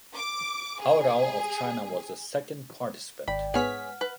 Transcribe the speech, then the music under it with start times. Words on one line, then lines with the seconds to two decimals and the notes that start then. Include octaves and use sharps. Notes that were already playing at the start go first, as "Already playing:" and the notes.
Hao Rao of China was the second participant.
0.16 D6
0.81 G#4
3.28 G#1 D5 G5 B5
3.54 G#2 B3 G#4 C#5 F#5 F6 B6
4.01 B4